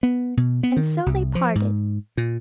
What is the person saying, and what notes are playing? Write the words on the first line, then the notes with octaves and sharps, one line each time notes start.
And so they parted.
B3
B2
B3
D#3
C2
F3
G#2
A#2